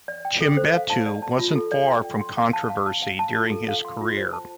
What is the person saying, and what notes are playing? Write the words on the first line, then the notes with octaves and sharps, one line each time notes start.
Chimbetu wasn't far from controversy during his career.
D5
G5
A4
C5
F5
A5
D5
A5
F4
A4
D5
G5
G5
C6
F5
A5
F5
A5
F5
A5
F4
A4
F5
C6
F4
C5
A5